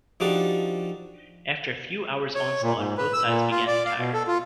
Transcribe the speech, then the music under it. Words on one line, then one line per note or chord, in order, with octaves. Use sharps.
After a few hours' onslaught, both sides began to tire.
F3 D4 D#4 F#4 G4 A4
C#5
A#2
G#2
B4
E6
A#2
F4
D5
F5
B2
A4
F4